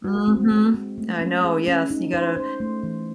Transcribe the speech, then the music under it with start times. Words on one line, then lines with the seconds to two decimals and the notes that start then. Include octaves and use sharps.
Mhm, I know, yes, you gotta
0.04 F#4
0.28 C4
0.51 G#3
0.74 G#3
0.98 A3
1.21 C#4
1.44 G#4
1.68 C#4
1.91 D#4
2.14 C5
2.37 C5
2.60 A3
2.83 E3